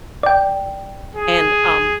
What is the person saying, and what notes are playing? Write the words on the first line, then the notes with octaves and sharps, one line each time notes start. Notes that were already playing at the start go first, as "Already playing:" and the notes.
and, um
D5 G5
G#4